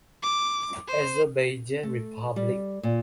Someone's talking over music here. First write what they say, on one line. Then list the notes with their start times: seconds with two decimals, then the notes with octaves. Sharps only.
Azerbaijan Republic.
0.23 D6
0.88 C5
1.83 A3
2.36 G3
2.83 A#2